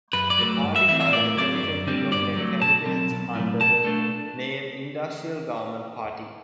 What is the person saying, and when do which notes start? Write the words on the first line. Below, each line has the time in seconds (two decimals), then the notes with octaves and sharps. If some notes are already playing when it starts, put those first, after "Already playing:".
The party filed a petition to nominate candidates under the name Industrial Government Party.
0.13 F#2 B4
0.30 D5
0.39 F#3 A3
0.63 G2
0.76 E5
0.88 E3 A3 C4 E5
1.00 E5
1.12 A2 D5
1.37 F#3 C4 D5
1.62 F#2
1.87 D3 G3 C4
2.12 G2 D5
2.37 F#3 A3
2.61 B2 A5
2.86 F#3 C4
3.11 B1
3.35 A2 F#3
3.60 B2 A5
3.85 A3 D4